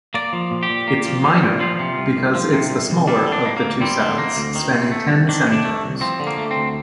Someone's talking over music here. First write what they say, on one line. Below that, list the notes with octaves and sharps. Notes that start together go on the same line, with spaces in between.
It's "minor" because it's the smaller of the two sevenths, spanning ten semitones.
A#3 D5
F3
A#2
G4
A#2
A#3
F3
A#2
A#2
F3 F4
C3
C2
C2
F3
C3
C2
C2
G3 D4
D3
D4
A#3
A#3
D2
G3 C4
D3
A#3
D2
D#3
C3
A3
C2
D#3 D4
C3
D4
A3
C2
F3 C4
D3
A#3
A3
C4
D2